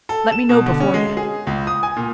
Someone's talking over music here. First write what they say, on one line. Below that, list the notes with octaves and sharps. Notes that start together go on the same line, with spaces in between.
Let me know beforehand....
A4
E7
B2
D3
C#4
G#3
G#4
C#2
D#6
G#5
A#2